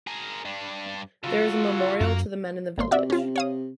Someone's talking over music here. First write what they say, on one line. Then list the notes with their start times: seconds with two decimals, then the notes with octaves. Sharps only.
There is a memorial to the men in the village.
0.07 G#4 A#4
0.45 G2 D4
1.24 C#3 F#3 F4 F#4 A4
2.01 F#2 A#4 F5
2.78 G#1 A#3 C6
2.91 C3 F#4 D5 E5
3.10 C#4 F4
3.36 C#5 F5 D#6